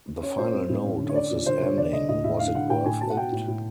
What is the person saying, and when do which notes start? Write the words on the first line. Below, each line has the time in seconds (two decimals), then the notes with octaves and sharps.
The final note of this ending: Was it worth it?
0.23 C#4 C#5
0.38 A#2 C5
0.54 C4
0.69 A2
0.85 C#4
1.00 D3
1.09 C#5
1.15 C#4 D5
1.31 A#2
1.46 D3 C5
1.62 D3 C#5
1.78 D3 D5
1.93 D3 D#5
2.09 A2 D#5
2.24 A2 E5
2.39 D3 F5
2.55 D3 F#5
2.70 A2 G5
2.86 A2 G#5
3.01 B2 A5
3.10 F#5
3.17 B2 G5
3.32 A2
3.48 A2